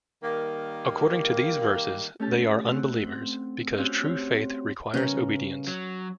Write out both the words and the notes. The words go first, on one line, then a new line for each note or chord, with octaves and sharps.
According to these verses, they are unbelievers; because true faith requires obedience.
D#3 G3 A#3
A3 C#4 G4 A5
C4 F#5
C4 C#4 F#4 G4 F5 F#5
C4 C#5
C#3 G3 B3 C#4 A#4
F#3